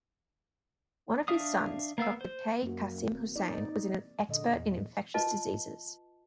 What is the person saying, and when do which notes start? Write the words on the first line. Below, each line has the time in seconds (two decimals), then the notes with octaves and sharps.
One of his sons, Doctor K. Khasim Hussain was an expert in infectious diseases.
1.28 D4 E5 F5 D#6
1.98 A#3 B3 F5 E6
2.21 C5
2.63 F#2 A#3 F#4
3.12 D1 A#3 C4
3.36 D#4 D5
4.29 A#2 D3 G#3 D#5
4.54 E2
5.14 F4 B4 D#5 A5